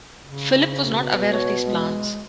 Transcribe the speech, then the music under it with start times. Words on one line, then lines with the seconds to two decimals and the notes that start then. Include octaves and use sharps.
Philip was not aware of these plans.
0.25 C#3
0.85 B2
1.32 C#5
1.65 G#3